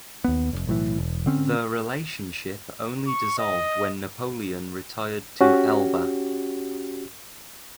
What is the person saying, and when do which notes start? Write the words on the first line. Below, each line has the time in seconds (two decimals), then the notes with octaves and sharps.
The relationship only dissolved when Napoleon retired to Elba.
0.24 D#2 B3
0.53 F1
0.67 B1 A2 E3
0.98 E1
1.26 D3 C4 C#4
3.07 C#6
3.38 D#5
5.41 C#4 F#4 G4